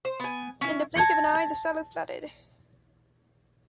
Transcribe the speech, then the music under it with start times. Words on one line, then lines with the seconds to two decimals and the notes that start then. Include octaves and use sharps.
In the blink of an eye the cellar flooded.
0.05 C5
0.20 B3 G#5
0.61 C#4 E4
0.95 A5 G#6 A#6 C#7